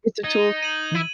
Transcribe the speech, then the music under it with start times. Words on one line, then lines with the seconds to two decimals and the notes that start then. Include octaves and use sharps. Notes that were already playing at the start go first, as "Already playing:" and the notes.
It's a tool, mm
0.24 D#4 G#6
0.62 D#7 F#7
0.95 E4